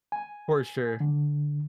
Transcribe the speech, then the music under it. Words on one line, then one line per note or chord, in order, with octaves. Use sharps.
For sure.
G#5
D3